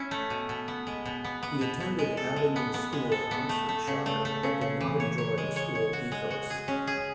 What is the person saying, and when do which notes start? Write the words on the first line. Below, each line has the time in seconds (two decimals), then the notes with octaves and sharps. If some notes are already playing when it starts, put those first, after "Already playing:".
He attended Abingdon School in Oxfordshire, but did not enjoy the school ethos.
Already playing: C#4 E4
0.11 A3
0.30 B2
0.49 B2
0.68 B3
0.87 G#3
1.06 B2
1.24 B3
1.43 B3
1.61 B2
1.80 B2
1.99 G#3
2.17 A4
2.36 G#3
2.56 B3
2.74 B3
2.93 G#3
3.12 A4
3.31 B3
3.49 A3
3.69 A3
3.87 C#3
4.06 A3
4.25 A3
4.43 C#3
4.61 C#3
4.81 E3
5.00 C#5
5.18 C#5
5.38 G#3
5.56 C#5
5.75 C#5
5.93 F#4
6.12 G#3
6.31 F#4
6.50 G#4
6.68 C#4
6.87 G#4